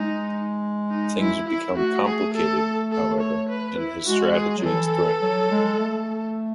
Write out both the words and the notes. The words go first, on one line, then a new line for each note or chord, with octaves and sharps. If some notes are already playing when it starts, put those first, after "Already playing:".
Things become complicated, however, and his strategy is threatened.
Already playing: G#3 D#4
D#4
E4
E4
A3 F#4
G#4
A4
A4
C#5
B4
E4
G#3 F#4
G#4
F#3
E3 A4
F#3
G#3
A3